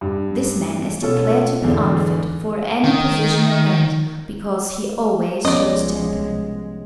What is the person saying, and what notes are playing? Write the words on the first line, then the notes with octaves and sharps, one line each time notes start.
This man is declared to be unfit for any position of note, because he always shows temper.
G2
B2 C#4 F4 A4
E2 G#2 D3
D#3
C2 F3 G#3 B3 C#4 D5 D#5